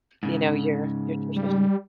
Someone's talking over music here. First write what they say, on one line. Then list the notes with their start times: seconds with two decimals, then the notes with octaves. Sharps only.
you know, your your traditions.
0.23 G#2 C#3
1.36 G3